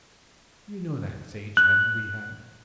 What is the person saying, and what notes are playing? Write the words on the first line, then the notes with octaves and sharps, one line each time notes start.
"You know that sage hen we had?"
F#6